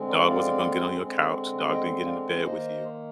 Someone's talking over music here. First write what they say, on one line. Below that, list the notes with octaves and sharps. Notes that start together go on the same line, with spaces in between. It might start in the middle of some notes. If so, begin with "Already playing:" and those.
dog wasn't gonna get on your couch, dog didn't get into bed with you.
Already playing: D3 G#3 C4
A#4 D5
D5 F5
D3 G#3 C4
D#5 G5
D5 F5
D#3 A#3 C5 D#5